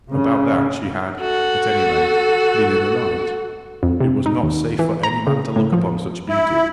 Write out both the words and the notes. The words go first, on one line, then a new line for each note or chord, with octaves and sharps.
About that she had, at any rate, been in the right--it was not safe for any man to look upon such beauty.
C#3
F#4 A4
F2
C3
D#4
D#2
E3
A#5
C#3
A2
F3
E4